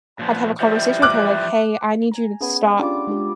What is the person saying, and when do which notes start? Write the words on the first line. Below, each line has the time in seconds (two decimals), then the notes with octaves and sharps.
had to have a conversation with her like, "Hey, I need you to stop
0.19 A#2 F3 B3
0.60 E3 F3 G3 E5
1.02 D6 F#6
2.12 G#5 A#5
2.41 B3 C#4 G#4 B4 G#5
2.79 G3 C#4 D4 F4 G#4 D6
3.07 G#3 D4 G4